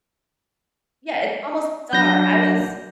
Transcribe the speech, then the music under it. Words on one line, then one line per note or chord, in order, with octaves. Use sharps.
Yeah, it's almost bizarre, I was
F#3 D4 G6 A#6